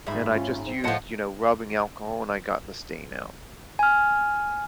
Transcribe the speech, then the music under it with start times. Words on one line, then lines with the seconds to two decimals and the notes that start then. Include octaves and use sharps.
and I just used, you know, rubbing alcohol, and I got the stain out.
0.07 D#2 G#2 E5 B5
0.34 C#4 F4
0.66 C4
0.84 A2 F3 D#5 F#5 A5 C6
3.79 G#5 F6